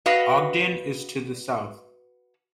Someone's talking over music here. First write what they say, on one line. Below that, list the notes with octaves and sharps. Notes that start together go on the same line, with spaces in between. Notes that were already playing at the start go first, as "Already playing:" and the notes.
Ogden is to the south.
F#4 B4 D#5 F5